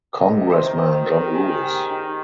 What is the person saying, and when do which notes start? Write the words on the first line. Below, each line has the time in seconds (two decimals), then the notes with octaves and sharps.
Congressman John Lewis.
0.21 C3 D#5
0.50 C5
0.64 D#3
0.78 C5
1.06 A#4
1.26 G4
1.34 G#4
1.63 G4
1.91 D#4